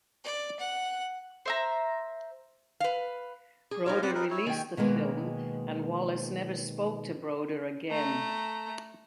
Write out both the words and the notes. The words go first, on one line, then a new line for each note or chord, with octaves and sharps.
Broder released the film and Wallis never spoke to Broder again.
D5
F#5
C5 E5 A#5
B4 F5
G#4
D#4 F4 G4 A#4 C#5
C4 B4 D5 F#5
D#4 A#4 B4
E4 C#5
D#3 G5 G#5
B2 D#3 G#3 A#3 B3
A3 A#5